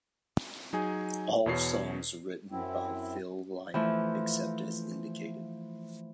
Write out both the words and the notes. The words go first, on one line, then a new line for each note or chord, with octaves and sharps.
All songs written by Phil Lynott except as indicated.
F#3 D#4 G#4 G#5
E2 B2 C#5 C7
F#2 C4 E4
E3 F3 A3